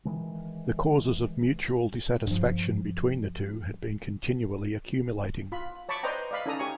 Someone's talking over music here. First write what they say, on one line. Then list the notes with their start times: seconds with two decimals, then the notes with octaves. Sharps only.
The causes of mutual dissatisfaction between the two had been continually accumulating.
0.05 D#3 E3 G#3
2.27 G2 F3
5.52 F4 B5
5.89 C#5 A5 B5 C#6 D6
6.03 B4 C5 D5 D#5 G5 A#5
6.31 D5 D#5 F5 B5
6.46 C#4 D#4 A4 D5 A#5 D#6
6.59 G4 C#5 G#5 C#6